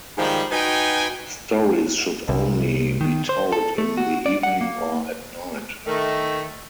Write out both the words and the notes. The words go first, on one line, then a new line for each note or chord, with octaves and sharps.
Stories should only be told in the evening or at night.
G#2 D#3 F3 G3
D#4 F#4 B4 G5 G#5
C2
D#3
C5
A4
A3
F#4
D5
F#5
A#3
D#3 A3